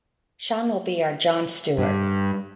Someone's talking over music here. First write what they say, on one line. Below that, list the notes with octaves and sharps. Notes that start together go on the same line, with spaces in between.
Sean will be our Jon Stewart.
G2